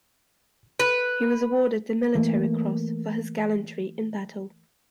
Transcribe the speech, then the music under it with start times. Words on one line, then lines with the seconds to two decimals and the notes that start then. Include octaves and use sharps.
He was awarded the Military Cross for his gallantry in battle.
0.80 B4
2.15 E3 A3 A#3